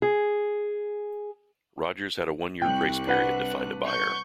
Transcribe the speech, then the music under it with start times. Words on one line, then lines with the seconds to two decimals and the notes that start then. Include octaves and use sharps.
Rogers had a one-year grace period to find a buyer.
0.02 G#4
2.62 C2 G5 F#6
3.07 D4 B4 F#5
3.85 C#6 G6